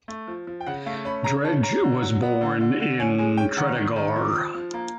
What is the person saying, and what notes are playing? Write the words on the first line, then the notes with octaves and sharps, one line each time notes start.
Dredge was born in Tredegar.
A3
F3
F3
G5
C#3 F#5
A3 F5
C#4 B5
C#3 A#5
C#4 A5
C#4 A#5
D3
F#3
B3
D3
D3
D3
C#4 G#5
G#3 G#5
C#4 G5
D#3 F#5
D#3
D#3
F3
F3
F3
A#3